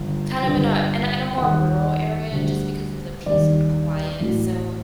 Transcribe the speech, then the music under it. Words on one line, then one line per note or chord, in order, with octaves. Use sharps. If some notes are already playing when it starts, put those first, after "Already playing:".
kind of in a in a in a more rural area just because of the peace and quiet, so
Already playing: G1
G1 G2 D3
D#2 D#3 G3 F#5
D2 D3 G3
D#2 D#3 G3 D5
A1 A2 F#3